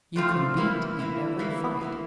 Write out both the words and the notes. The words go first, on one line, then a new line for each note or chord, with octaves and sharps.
You can beat in every fight.
G2 D3 A3 C4 F4
E3 A#3 E4
E3 A#3 E4
E3 A#3 E4
E3 A#3 E4